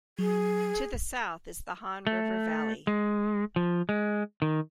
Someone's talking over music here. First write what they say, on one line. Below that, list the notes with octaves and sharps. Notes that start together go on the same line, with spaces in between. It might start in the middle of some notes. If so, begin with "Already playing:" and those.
To the south is the Han River valley.
F#3 G#4
A3
G#3
F3
G#3
D#3